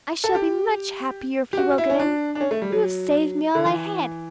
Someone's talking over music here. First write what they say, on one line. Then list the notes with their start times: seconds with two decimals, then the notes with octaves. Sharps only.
I shall be much happier if you will get in. You have saved me all I had.
0.24 A4
0.35 G4
1.53 G4
1.57 F#4
1.78 E4
1.90 C#4
1.99 D4
2.35 D4
2.40 C#4
2.51 A3
2.62 G3
2.72 F#3
3.55 D3
3.65 E3